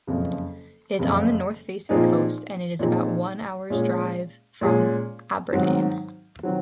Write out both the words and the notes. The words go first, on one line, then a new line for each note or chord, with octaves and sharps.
It is on the north-facing coast and is about one hour's drive from Aberdeen.
F#1 F2 C#3
F#1 F2 C#3
A#2 F3 C4 D#4 G#4
A#2 F3 C4 D#4 G#4
A#2 G#3 C#4 G#4
A#2 G#3 C#4 G#4
G#2 D#3 F#3 C4
D#3 F#3 C4